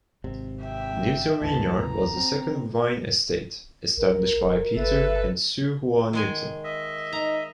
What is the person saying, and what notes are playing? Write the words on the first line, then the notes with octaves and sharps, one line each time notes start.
Newton Vineyard was the second wine estate established by Peter and Su Hua Newton.
G#1 C3
E5 G5
A1 D#2 E3 A5
A#5
C4
B1 A#4
D#1
G1 A4 B4 E5
D#3 G#3 G#5
D#5 E5
D#4 A#5